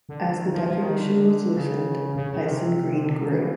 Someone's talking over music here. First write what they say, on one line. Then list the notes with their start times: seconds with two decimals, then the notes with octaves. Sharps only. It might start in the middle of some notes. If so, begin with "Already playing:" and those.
As the definition was loosened, Hyson Green grew.
0.09 D3
0.38 D#3
0.53 F3
0.68 F3
0.82 D#3
0.97 D3
1.56 C#3
2.16 C#3
2.31 C#3
2.46 C3
3.04 D3
3.20 D#3
3.35 E3